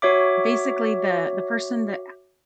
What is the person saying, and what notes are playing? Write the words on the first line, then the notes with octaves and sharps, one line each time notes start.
basically, the the person that
F#4 C#5 E5 D6